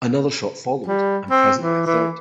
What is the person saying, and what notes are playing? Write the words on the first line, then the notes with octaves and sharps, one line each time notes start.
Another shot followed and presently a third.
G3
C4
E3
E3